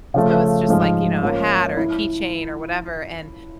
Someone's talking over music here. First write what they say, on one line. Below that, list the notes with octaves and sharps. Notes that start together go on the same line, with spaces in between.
So, it's just like, you know, a hat or a keychain or whatever, and
C#3 F3 A3
G#2 F3 G#3
F3 A#3 C#4
E4